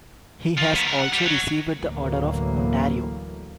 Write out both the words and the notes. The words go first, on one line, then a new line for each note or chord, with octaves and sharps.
He has also received the Order of Ontario.
F3 F4
D#3 B3
C2 A#4
F#5
E2 G3
F#3
D2 A2 E3 F#3 A#3